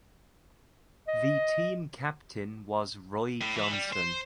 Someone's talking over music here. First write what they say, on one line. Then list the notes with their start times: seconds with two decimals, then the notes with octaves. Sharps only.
The team captain was Roy Johnson.
1.08 D#5
3.41 A2
3.56 E3
3.72 G3
3.93 C5